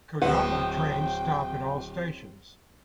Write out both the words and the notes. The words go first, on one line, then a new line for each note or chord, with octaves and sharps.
"Kodama" trains stop at all stations.
D1 A2 C4 B4 F#5 G5